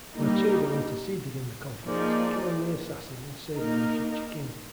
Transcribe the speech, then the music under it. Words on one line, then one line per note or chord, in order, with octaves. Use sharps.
Macedo interceded in the conflict, killing the assassin and saving the future King.
G3 A#3 D#4
F3 A#3 D#4 G#4 D5
A#3 D#4 A#4